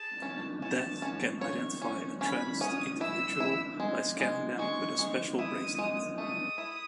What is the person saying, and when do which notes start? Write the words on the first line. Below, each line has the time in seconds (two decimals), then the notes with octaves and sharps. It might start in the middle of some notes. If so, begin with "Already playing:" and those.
Deth can identify a tranced individual by scanning them with a special bracelet.
Already playing: G#4 A5
0.22 C#4
0.62 C#4 A5
1.02 C#4
1.41 C#5 C#6
1.82 C#4
2.21 C#4 B5
2.61 C#4 D#6
3.01 E4 E6
3.40 E4
3.80 G#3
4.20 G#3
4.59 G#3 C#6
4.99 G#3
5.39 E4 D#6
5.79 G#3
6.18 A3 D#6
6.58 E4